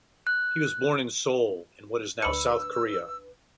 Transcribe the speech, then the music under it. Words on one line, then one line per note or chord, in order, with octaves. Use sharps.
He was born in Seoul, in what is now South Korea.
F#6
D2 D4 B4 B5 E6 C#7